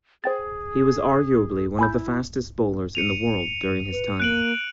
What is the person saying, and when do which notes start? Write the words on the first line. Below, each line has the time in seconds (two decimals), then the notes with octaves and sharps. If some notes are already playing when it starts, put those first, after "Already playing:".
He was arguably one of the fastest bowlers in the world during his time.
0.24 G#4 C5 G5 A6
1.79 E4 G#5 B5 G6
2.95 C#7 D#7 F7
3.92 B4
4.20 A#3 F#6 D7 F#7